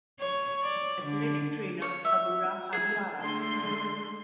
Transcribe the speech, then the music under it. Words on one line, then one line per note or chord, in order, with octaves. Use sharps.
Athletic Trainer: Saburo Hagihara.
C#5
D5
D3
C#5
E5
G#4
D3 G#3 A3 C6